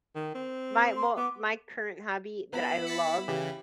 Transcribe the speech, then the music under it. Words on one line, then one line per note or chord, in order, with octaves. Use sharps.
My well, my current hobby that I love
D#3
C4
C6
B3 D6
B3 E4 B5
A6 B6 C#7
C#3 E3 G4